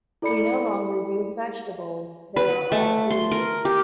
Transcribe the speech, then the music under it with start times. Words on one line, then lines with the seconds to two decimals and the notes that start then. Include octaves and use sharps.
We no longer use vegetables, they are all polluted.
0.22 E4 A4 D5 B5 C#7
2.36 B4
2.72 A3
3.11 C6
3.31 A#4
3.65 G4